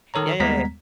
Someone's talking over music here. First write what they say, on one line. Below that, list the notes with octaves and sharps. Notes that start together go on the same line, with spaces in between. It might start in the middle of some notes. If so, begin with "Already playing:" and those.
Yeah, yeah, ye
D#3 A4 C#5 A#5
D#2 G3 G#3 B3 A#5 B6